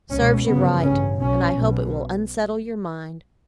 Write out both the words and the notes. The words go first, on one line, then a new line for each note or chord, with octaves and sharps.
Serves you right; and I hope it will unsettle your mind.'
C#2 B2 C#4
G1 F#2 C#3 B3
A1 G2 C#4
B1 B2 C#4
B1 B2